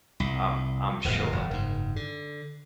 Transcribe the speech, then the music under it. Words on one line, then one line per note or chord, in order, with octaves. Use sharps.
I'm I'm sure.
C2
D1 G1 F2 B2
E1
F#1 G#2
D3